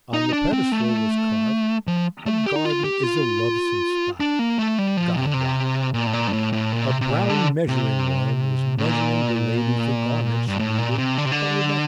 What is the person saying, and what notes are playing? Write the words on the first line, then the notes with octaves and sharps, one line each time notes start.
On the pedestal was carved, "A garden is a lovesome spot, God wot." A brown measuring-worm was measuring the lady for garments she needed but would never wear.
D#4
D4
C4
A3
F3
A3
G4
D#4
F4
G4
F4
D4
A#3
A3
G3
F3
C3
D3
C3
A#2
A2
A#2
G2
A2
A2
A#2
C3
C3
A#2
D3
C3
A2
A#2
G2
A2
A#2
C3
D3
C3
D3